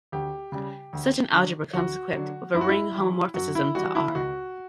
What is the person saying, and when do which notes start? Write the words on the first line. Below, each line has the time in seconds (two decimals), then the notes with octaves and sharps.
Such an algebra comes equipped with a ring homomorphism to "R".
0.12 D2 G4
0.52 C#3 G3
0.93 D2
1.33 D3 F#3
1.73 D2 F#4
2.14 D3 F#3
2.55 F#2 E4
2.61 F#4
2.69 E4
2.95 E3 G3
3.34 F#2 F#4
3.55 E4
3.75 E3 G3 F#4
3.95 E4
4.15 C#2 F#4